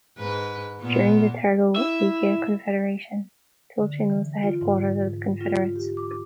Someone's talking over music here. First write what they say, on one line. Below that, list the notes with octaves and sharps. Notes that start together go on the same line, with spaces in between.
During the Targowica confederation Tulchin was the headquarters of the confederates.
G#2 B4
A#2 B3
E4 E5
D3
E3
F4
G#2
F4
G4
D6